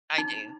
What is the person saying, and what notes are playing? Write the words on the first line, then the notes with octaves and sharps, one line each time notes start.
I do.
D#4